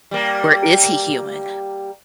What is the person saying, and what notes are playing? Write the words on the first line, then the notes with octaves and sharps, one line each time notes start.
Or is he human?
G3 A#3